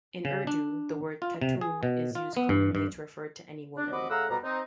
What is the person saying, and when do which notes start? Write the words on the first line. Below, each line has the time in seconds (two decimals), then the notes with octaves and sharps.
In Urdu, the word "khatun" is used commonly to refer to any woman.
0.25 C#3
0.47 D4
1.22 F4
1.41 C3
1.61 G#4
1.83 B2
2.15 F4
2.37 B3
2.49 G2
2.75 G2
3.77 D4
3.91 D#2 C4 F#4 D#5 B5 D6
4.10 C#3 A3 F5 F#5 A#5 E6
4.29 F2 B2 G3 B3 A#5
4.43 C4 D#4